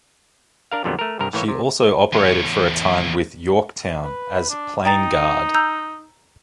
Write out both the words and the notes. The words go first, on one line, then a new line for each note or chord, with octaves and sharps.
She also operated for a time with "Yorktown" as plane guard.
D4 A#4 F5
F2 A#2 D3 F#3 G3 B3
A3 A#4
C2 G2 A#4
A2 E3 A#3 C#5
C3
E2 C#5
B4
D4
D#4 G5 A#5 A6
A#5 E6 G6